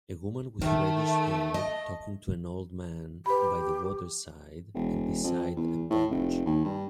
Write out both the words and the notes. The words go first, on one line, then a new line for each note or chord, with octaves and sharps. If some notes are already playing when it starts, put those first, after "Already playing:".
A woman with reddish hair talking to an old man by the waterside and beside a bench.
D#3 A3
D#5
G4 B4 B5
E1
F2
E2
A2
F1
D#2
G2